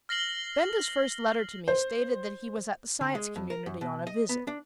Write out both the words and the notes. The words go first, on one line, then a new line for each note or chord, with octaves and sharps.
Benda's first letter to me stated that he was at the Science Community on a visit.
F6 A#6 C7 F#7 G7
C5
D3
G#3
F2
A#4
F#2
B2
D#5
B3
D4